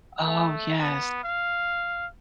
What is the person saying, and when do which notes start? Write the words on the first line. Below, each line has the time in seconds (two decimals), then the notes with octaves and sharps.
Oh, yes.
0.25 A3
0.81 B3
1.24 F5